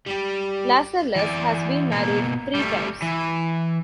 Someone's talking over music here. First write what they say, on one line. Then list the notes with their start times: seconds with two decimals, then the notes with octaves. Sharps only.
Lascelles has been married three times.
0.07 G3 G4
1.16 E3 D5
1.92 B2 A#3
2.55 G3 A3
3.02 E3